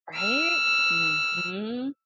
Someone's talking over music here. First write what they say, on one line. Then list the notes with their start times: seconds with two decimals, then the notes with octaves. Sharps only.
Right? Mhm.
0.16 E6 F6